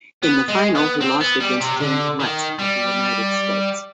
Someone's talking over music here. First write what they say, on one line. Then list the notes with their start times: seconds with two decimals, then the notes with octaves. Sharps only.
In the final he lost against James Lutz of the United States.
0.23 B3
0.48 G#3
0.75 B3
1.01 C4
1.21 B3
1.40 G3
1.61 C3
1.80 D3
2.20 D#3
2.59 G3